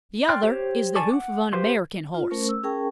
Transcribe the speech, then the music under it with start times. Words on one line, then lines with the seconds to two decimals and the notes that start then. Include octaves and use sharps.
The other is the hoof of an American horse.
0.29 D5 G5 C6 F6 F#6
0.43 G4 C5 C#5
0.96 D5 G#5 A5 C#6 D6
1.12 F#5 D6
1.53 G4 B4 C5 F5 C6
2.14 F4
2.31 A3 C#4 A#4 C5 C#6
2.49 E6
2.63 C#4 G#4 A#4 G5 A5 C#6